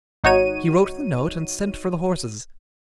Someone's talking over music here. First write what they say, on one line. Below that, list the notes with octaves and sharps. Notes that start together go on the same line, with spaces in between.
He wrote the note, and sent for the horses.
G#1 D#4 F#4 C#5 D#7